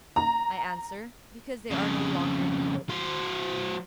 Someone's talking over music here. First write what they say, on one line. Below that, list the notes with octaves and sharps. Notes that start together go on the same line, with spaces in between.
I answer: Because they are no longer needed.
A#5
F2 C#3
F#3 C5